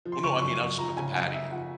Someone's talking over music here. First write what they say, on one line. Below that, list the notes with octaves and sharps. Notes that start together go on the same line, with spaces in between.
Well, no, I mean, I'll just put the patty in
F3
C6
C#3 C#6
F#2 C#6
F#2
F3 A#5
C#3 G#5
F#2 G#5
D#5
F#2 E5
F3 F#5